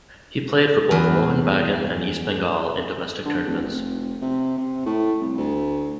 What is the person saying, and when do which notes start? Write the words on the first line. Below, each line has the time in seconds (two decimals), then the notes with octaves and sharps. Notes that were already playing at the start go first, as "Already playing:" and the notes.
He played for both Mohun Bagan and East Bengal in domestic tournaments.
0.91 E2
3.25 D3
3.46 D1
3.62 F1
4.22 C3
4.57 C3
4.85 A2
5.20 C2
5.38 D2